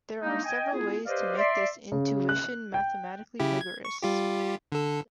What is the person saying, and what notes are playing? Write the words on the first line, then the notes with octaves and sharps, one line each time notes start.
There are several ways to make this intuition mathematically rigorous.
G#3 A#3 D4 D#4
D#5 G5 G#5
B3 E4 F4 G#4
G4 B4 C5 D5 D#5 F5
D5 E5 C6
C#3
F#6
G5
C#3 E4 G4
G#6
C#6
G3 F4 G4
D3 A4